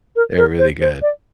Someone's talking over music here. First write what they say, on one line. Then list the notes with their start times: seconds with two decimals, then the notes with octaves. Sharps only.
They're really good,
0.16 A#4
0.38 A#4
0.59 C5
0.81 C5
1.02 D5